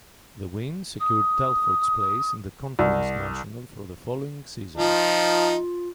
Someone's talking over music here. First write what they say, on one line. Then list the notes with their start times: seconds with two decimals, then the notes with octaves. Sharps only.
The win secured Telford's place in the Conference National for the following season.
1.00 D#6
2.79 C2
4.78 F3 D#4 F4